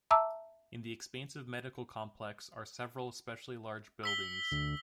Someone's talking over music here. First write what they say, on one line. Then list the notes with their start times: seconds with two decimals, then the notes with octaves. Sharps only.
In the expansive Medical Complex are several especially large buildings.
0.11 E5 A5 A#5 D6 E6
4.04 E6 B6 G7
4.52 D2